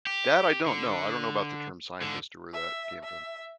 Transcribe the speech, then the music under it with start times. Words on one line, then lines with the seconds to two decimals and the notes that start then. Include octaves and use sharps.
That, I don't know. I don't know about the term scientist or where that came from.
0.07 G4
0.66 D3
2.01 G#2 D3
2.53 E5
3.04 E5